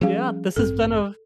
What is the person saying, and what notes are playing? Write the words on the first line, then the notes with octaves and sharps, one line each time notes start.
yeah, this has been a f
F3 G3 C#4 G#4 F5
A1 G2 C4 A4